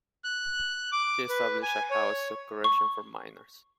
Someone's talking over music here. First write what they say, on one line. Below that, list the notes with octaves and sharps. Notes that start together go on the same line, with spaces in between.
He established a house of correction for minors.
F#6
D6
B4
G#5
C#5
C#6